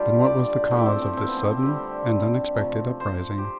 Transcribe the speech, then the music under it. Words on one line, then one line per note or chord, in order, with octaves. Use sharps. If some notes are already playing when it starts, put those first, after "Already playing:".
Then, what was the cause of this sudden and unexpected uprising?
Already playing: D3 G3 A3 F4 G4
D5
A2 F3 A3 G4
C4
C4
C4
B3
C4
D3 G3 G4
C3 F3 A3
C5
G4